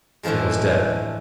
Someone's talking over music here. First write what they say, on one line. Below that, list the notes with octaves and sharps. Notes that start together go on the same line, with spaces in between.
It was dead.
A2 D3 E3 F3 G#3